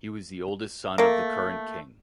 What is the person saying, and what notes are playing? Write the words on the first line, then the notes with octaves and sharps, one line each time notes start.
He was the oldest son of the current king.
A3 A#3